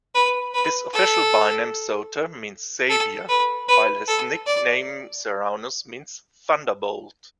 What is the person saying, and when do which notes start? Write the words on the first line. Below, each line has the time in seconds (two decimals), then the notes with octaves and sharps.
His official byname "Soter" means "Saviour", while his nickname "Ceraunus" means "Thunderbolt".
0.15 B4
0.54 B4
0.93 A4
2.89 A4
3.29 B4
3.68 B4
4.08 A4
4.46 D5